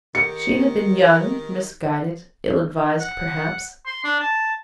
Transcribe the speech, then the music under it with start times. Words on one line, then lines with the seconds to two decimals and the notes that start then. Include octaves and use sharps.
She had been young, misguided, ill-advised perhaps.
0.15 D#3 G4 F#5 C#7
3.00 F#5
3.86 C6
4.04 D4
4.20 A5